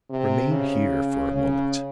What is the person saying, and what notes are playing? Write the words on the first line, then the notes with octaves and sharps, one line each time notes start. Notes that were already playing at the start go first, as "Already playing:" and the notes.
"Remain here for a moment."
C3
C#3
C#3